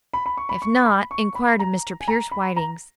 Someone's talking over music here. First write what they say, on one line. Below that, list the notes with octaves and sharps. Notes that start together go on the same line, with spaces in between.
If not, inquire to Mr. Pierce Whiting's.
B5
B5
C#6
B5
C#6
B5
C#6
B5
A#5
G#5
A#5
B5
A#5